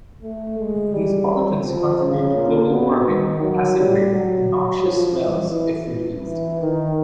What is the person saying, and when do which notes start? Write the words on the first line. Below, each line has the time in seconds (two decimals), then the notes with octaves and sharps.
These pollutants contribute to global warming, acid rain, and noxious smells if released.
0.22 A3
0.58 G#3
0.93 G3
1.64 F3
2.00 C#3
2.35 A#2
2.70 B2
3.06 D#3
3.42 F#3
3.77 G3
4.12 F#3
4.48 F#3
4.83 F3
5.19 E3
5.54 E3
6.25 E3
6.61 D#3